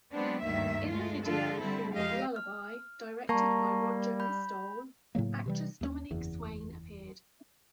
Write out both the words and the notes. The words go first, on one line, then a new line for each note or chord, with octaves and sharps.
In the video for "Lullaby", directed by Roger Pistole, actress Dominique Swain appeared.
F#3 G#3 B3 C4 D4
D2 G2 D#3 A#3 E5
G#3 A3 F4
D3 F3 D4 F4 A4
D3 G3 C4 E4
F2 G#3 G4 D#5 F5
F6
G3 A#3 A5 A#5 C#6
B5 G6
A2 C#3 F#3 A#3
C3 E3 G3
D#2 A3 C#4
F#1 E2